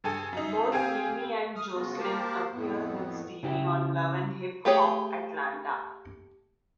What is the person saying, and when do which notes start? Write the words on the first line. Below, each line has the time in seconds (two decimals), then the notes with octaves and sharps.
Both Mimi and Joseline appear with Stevie on "Love and Hip Hop: Atlanta".
0.04 G2 G#4 A4 G#5
0.33 F#2 D#4
0.72 C4 G4 G#4 F5 G5 G#5
1.55 D#6 F6
1.74 C#3 G#3 B3 F4 F#4
1.98 A#3 G4 A#4 C5 A5
2.53 F2 A2 B3
3.43 C#3 E4 G4
4.65 A3 G4 G#4 C#5